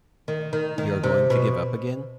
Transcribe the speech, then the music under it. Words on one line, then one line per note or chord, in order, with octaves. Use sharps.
You're going to give up again?
D#3
D#3
D#3
C3
B2